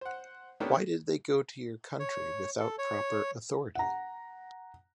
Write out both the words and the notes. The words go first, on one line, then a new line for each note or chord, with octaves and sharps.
Why did they go to your country without proper authority?
C5 F#5
A#3 B3 C#4 D4 G4 A4
C#5
A4
C#5
F#5 A#5